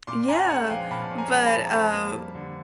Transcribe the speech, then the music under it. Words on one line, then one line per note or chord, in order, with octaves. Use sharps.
Yeah, but, uh,
A#2 C6 D6
C#4 G#5 A#5
G#3 F#5 G#5
F3 F5 G5
A#2 A5 B5
C#4
G#5 A#5
G#3
A5 B5
F3
A#5
F2 A5 B5
A#3
G3
D3